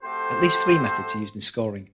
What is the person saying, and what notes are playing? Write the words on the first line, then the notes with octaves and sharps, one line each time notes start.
At least three methods are used in scoring.
A3 C4 F#4 G4 A4 C5